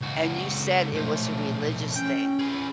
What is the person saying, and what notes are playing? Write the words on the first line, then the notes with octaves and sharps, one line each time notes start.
and you said it was a religious thing
C#2 F#4
B1 A#2 F3 A3
C#4 G5
G#4 B4